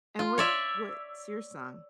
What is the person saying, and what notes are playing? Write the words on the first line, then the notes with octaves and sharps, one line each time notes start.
And what what's your song?
F4
C#5 D5 E5